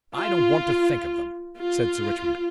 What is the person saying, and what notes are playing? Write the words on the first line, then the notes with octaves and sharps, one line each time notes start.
"I don't want to think of them," said Sir Richmond.
F4
F4